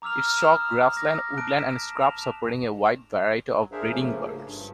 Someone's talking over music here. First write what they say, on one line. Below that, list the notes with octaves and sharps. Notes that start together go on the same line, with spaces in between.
Its chalk grassland, woodland and scrub supporting a wide variety of breeding birds.
A#5 D6 E6 F6 F7
D#6 E7 F7
D6 A#6
A5 F#6 D7
B6 E7
E7 F7
F#3
D4 G#4 A#4 C5 E5 F5
C#3 F3 A3 A#3 C#4
G#2 C#3
G2